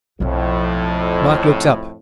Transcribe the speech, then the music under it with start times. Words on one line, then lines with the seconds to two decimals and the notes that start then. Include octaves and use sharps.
Mike looked up.
0.20 B1 F2 A2 F3